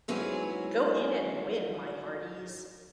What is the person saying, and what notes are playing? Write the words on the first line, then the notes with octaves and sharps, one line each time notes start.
Go in and win, my hearties!
G#2 F#3 C#4 E4 G#4 B4